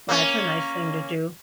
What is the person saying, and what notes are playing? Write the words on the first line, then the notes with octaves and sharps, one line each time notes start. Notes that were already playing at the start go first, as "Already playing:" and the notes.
Well, that's a nice thing to do.
A#3 C#4